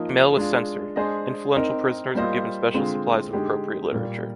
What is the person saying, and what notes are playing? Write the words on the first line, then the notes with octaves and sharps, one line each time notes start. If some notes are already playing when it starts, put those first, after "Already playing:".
Mail was censored; influential prisoners were given special supplies of appropriate literature.
Already playing: F3 A#3 D#4
G#3 D4 F4
G#3 D4 G#4 C5 D#5
C4 D#4 A#4 D#5
G3 A#3 F4 C5 D#5
D3 G#3 C4 F4 C5
D3 G#3 D#4 G4
A#2 G3 A#3